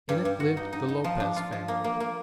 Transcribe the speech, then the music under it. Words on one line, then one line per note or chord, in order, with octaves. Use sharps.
In it lived the Lopez family.
G2
G2
F#4
D#4
D#4
D#4
F3
D4
F4
F3
A#3
A#3
A#3